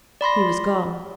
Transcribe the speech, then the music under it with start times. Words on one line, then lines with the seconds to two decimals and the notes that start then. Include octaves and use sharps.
He was gone.
0.21 D5 B5 C6 A#6